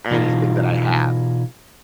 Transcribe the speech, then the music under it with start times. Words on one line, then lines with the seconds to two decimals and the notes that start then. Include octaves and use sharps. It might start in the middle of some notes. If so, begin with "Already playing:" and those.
anything that I have.
0.11 B2 E3 D#4 F4 G#4